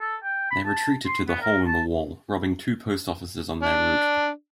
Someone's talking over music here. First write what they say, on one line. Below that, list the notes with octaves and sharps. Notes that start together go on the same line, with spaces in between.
They retreated to the Hole-in-the-Wall, robbing two post offices on their route.
A4
G5
B5
A5
C6
B3
A#4
A5
D4